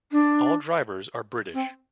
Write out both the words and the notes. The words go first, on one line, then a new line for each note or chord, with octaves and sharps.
All drivers are British.
D4
C4